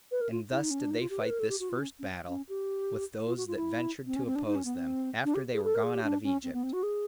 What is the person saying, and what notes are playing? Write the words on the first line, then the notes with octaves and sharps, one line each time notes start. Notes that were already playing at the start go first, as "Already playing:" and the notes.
And thus did they fight this first battle with those that ventured to oppose them, after they were gone out of Egypt.
B4
A#4
F4
E4
D#4
C#4
D4
D#4
F4
G4
B4
A#4
A4
G4
F#4
F4
C#4
C#4
C#4
G4
F4
F#4
F4
E4
C4
C#4
C4
D4
D#4
C#4
B3
C4
D4
G4
G#4
A4
A#4
G#4
G4
D4
C#4
C4
B3
C4
F#4
G#4